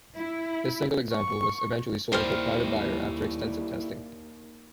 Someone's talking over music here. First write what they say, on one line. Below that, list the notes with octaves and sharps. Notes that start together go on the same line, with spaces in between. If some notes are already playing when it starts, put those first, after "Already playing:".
This single example was eventually sold to a private buyer after extensive testing.
E4
C#6
D#2 G3 A3 E4 A#4 C5 F6